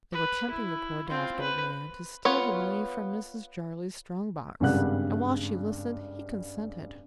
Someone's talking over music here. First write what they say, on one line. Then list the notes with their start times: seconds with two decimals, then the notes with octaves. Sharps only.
They were tempting the poor daft old man to steal the money from Mrs. Jarley's strong box, and while she listened he consented.
0.12 B4
0.51 E4
1.09 C4 F4
1.41 B4
2.25 B3 F4 C#5
4.60 G#1 G2 C#3 G3 F#5 F#6